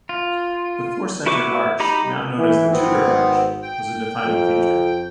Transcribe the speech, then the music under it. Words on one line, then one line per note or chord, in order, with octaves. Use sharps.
The four-centered arch, now known as the Tudor arch, was a defining feature.
F4
E4 F#4 B4 C#6 D6
D#4 G4 B5
E3
G#1 B3 C4
G5
F2